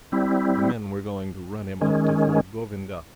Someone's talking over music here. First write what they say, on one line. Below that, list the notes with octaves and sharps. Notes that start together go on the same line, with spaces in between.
The men were going to run him up to Fort Govindghar.
G3 C4 E4
D#3 G#3 C#4